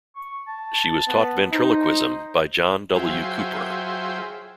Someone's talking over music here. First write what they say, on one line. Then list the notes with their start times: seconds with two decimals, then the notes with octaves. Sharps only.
She was taught ventriloquism by John W. Cooper.
0.15 C#6
0.47 A5
1.08 B3
1.52 D#4 C5
2.96 F#3 F4 G#4 C5 E5 G5